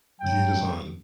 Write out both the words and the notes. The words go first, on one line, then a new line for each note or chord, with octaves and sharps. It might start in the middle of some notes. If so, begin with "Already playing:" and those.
The Heat Is On.
F#3 G5